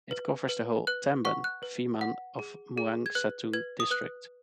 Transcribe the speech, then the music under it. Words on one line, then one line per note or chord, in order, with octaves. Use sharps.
It covers the whole "tambon" Phiman of Mueang Satun district.
B4
B4
B4 F#6
F#5 C#6
F#6
B4
F#5
G#4
G#4
G#6
B4 F#6
B4 G#6
D#6
B4 F#6